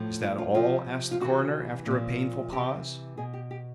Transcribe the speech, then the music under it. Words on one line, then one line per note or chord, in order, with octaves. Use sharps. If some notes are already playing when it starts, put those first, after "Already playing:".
"Is that all?" asked the coroner, after a painful pause.
Already playing: A2 F3
F4
F4
C3 F3 F4
F4
C3 E3 F#4
A#2 F3
C3 E3 G4
B2 G#4
G4
G4